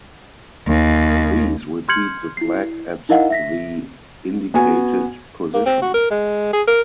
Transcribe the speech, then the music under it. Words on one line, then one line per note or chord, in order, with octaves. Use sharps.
These repeat the flag at the indicated position.
D#2
C6 F6 G6 G#6 C#7 F#7
E4 C7
D#4 E4 A#4 D#5 F5 F#5
E5 A#6 B6
B3 F#4 G#5
A#3
C4
F#4
A#4
G#3
G#4
A#4